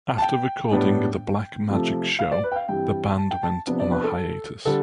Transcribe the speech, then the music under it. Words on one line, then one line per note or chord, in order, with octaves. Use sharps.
After recording "The Black Magic Show", the band went on a hiatus.
A5
G5
A2 G3 B3 D4
C3 F3 A3
F5
D5
B4
G5
F5
G2 E3 G3 C4 G5
A5
G5
A5
C3 F3 B3 D4
D5
B4
A4
D3 G3 A4